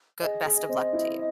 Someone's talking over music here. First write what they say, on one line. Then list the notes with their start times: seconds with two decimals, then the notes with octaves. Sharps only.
Goo Best of luck to you.
0.21 G#4 D#5
0.45 G#4
0.69 C4
0.93 E4